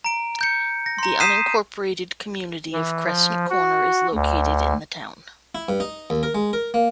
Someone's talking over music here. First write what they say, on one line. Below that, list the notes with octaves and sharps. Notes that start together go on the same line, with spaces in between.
The unincorporated community of Crescent Corner is located in the town.
A#5 D7
G6 C#7
A#6
A#5 C6
D#6 G6 B6 C7 D#7 E7
E3
F3
F#4
D2
E4
G2
D#4
D#2
A#4
G#3
A#4
A#3